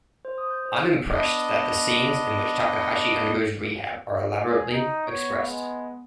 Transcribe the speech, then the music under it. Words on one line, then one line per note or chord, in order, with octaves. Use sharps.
I'm impressed that the scenes in which Takahashi undergoes rehab are elaborately expressed.
C5
D#6
G6
C5
B3 D4 D#5
G#4
D#4
B3 C#5
G#3